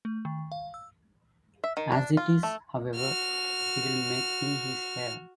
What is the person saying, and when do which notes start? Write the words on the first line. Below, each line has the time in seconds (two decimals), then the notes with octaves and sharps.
As it is, however, he will make him his heir.
0.05 A3
0.25 D#3
0.52 F5
0.74 E6
1.64 E5
1.77 D#3
1.92 D4
2.17 F4
2.43 A3
2.96 F#4 F6